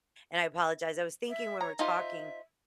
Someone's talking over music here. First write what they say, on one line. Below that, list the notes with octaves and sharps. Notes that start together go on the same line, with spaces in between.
and I apologize, I was thinking when we're talking
E5
C#5 A#5
D#4 F4 C5 E5